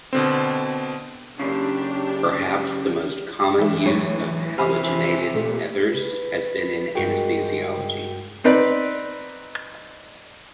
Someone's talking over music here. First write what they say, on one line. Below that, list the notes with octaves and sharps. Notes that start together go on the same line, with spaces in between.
Perhaps the most common use of halogenated ethers has been in anesthesiology.
B2 D3 C4
F#2 C#3 D4 G4
E3 G#4 A4 E5
F#2 A2 C#5
C3 G#5 B5 F6
A#2 A3
B4
G2 G#3 F#4 G#4 A#4 G5
C4 D#4 B4 D5